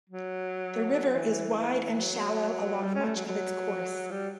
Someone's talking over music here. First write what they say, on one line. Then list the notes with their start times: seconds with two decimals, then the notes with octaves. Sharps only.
The river is wide and shallow along much of its course.
0.10 F#3
1.15 E3
2.00 F#3
2.83 G3
2.95 C#4
3.05 A3
3.16 F#3
3.27 F#3
4.11 G3